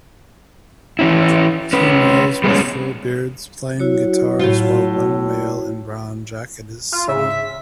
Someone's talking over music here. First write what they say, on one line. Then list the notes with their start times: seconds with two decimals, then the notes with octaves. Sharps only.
Two males with full beards playing guitars while one male in brown jacket is singing.
0.99 E3 C#4 E4
1.73 C#4 B4
2.44 G3 G#3 B3 C#4
3.79 F#3 E4 F#4 C#5
4.39 A2 F4
6.92 F4
7.08 C#3 E5
7.30 B6